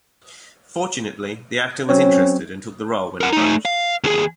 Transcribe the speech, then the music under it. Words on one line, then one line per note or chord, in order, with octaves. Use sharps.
Fortunately the actor was interested and took the role when approached.
F#3 C4 C#4 C#5
A#4 F#5
A3 D#4
F5
D#2 G#4